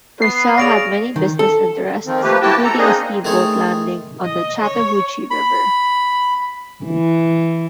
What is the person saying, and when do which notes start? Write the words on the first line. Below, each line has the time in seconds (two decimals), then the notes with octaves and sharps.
Purcell had many business interests including a steamboat landing on the Chattahoochee River.
0.22 B3 C7
0.58 G#4 C#5 D5 F5 A#6 D7 F7
1.16 D#3
1.39 A4
2.06 D#3 F3 C4
2.23 F3 A3 A#3 G4 B4
2.42 E4 F#4 G4 G5 A5
2.64 A4 A#5
2.77 A#3 C4 D4 D#4 G#4 D#5
3.25 D#3 A3 C4 G#4 C#5
4.24 D#5
4.61 C#5
5.31 B5
6.85 E3